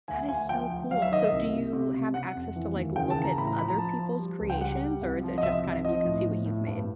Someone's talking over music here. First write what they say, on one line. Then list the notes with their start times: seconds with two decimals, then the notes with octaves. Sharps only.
That is so cool. So do you have access to, like, look at other people's creations, or is it just, kind of, you can see what you've made?
0.08 D2 G#5
0.29 D2 G#5
0.49 F3 G5
0.71 D2
0.90 F#3 F5
1.02 E5
1.11 D#3 D#5
1.24 E5
1.32 C2
1.53 C3
1.73 C3
1.94 C3
2.14 C3 F#5
2.35 F2
2.56 E3
2.76 D#2
2.96 C#3 G5
3.10 A5
3.16 E3
3.24 A#5
3.37 A2 B5
3.47 A#5
3.58 F3 B5
3.68 A#5
3.78 F3 A5
3.99 F3
4.19 G3
4.40 C#2
4.50 G5
4.61 G3 F#5
4.81 G3
5.01 C2
5.23 F3
5.38 D#5
5.43 C2 E5
5.64 C2
5.85 F3 D#5
6.05 A2
6.25 A2
6.45 A2
6.67 G2